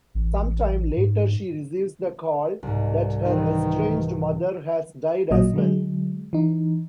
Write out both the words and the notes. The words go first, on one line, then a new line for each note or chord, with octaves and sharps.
Sometime later she receives the call that her estranged mother has died as well.
A1
G#2
C2 G#2
D#3 E3 C4
A1 A#2 F#3 D#5
D3 F#3 G#3
E3 D#4